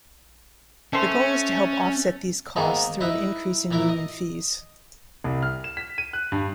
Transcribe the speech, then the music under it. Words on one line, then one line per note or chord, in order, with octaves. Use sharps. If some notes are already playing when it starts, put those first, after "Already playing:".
The goal is to help offset these costs through an increase in union fees.
A3 C#4 C5
G#2 D#3 G#3 A#3 B3 D#4
D#4 E4 B4 D#5 E5
A#2 E3 E4 A#4
D#5
C2
F6
E7
B6
D#7
F#6
G2